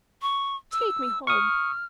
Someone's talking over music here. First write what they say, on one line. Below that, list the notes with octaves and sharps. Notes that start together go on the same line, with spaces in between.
Take me home!
C#6
E6
C#6 D#6 F6